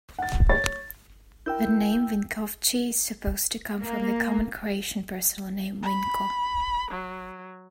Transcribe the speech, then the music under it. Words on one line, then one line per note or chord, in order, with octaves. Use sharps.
The name Vinkovci is supposed to come from the common Croatian personal name "Vinko".
F#5 A6
C#5 A6
E4 A#4 G5 E6 G6
A#3
B5
F#3